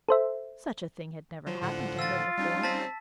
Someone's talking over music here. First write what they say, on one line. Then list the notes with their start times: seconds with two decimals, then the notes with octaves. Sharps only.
Such a thing had never happened to her before.
0.09 A4 C5 E5
1.47 F3 F#3
1.62 A2 D3 F#5
1.99 F4 E6 A6
2.38 G3 C#4 D#4
2.63 C4 A5 B6